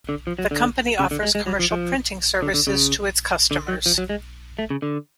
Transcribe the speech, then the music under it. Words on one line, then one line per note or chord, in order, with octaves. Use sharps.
The company offers commercial printing services to its customers.
D3
F3
F#3
D3
C#3
D3
G#3
G#3
F#3
F3
F3
D3
D3
C#3
D3
F#3
F3
F#3
G#3
A3
C#3
D3